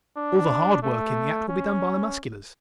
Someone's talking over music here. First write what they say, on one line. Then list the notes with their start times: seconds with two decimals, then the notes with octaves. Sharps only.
All the hard work in the act will be done by Musculars.
0.17 D4
0.83 A3
1.49 C#4